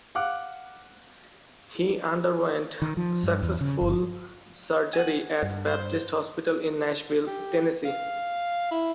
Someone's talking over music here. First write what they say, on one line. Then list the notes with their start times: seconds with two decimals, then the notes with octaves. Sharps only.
He underwent successful surgery at Baptist Hospital in Nashville, Tennessee.
0.15 F5 F#5 D6 F#6
2.82 D#3
2.97 F3
3.23 G2
3.42 E2
3.61 C#3
3.81 G1
4.93 F#5 G#5
5.42 G2
5.66 C5
7.27 G4
7.85 F5
8.71 E4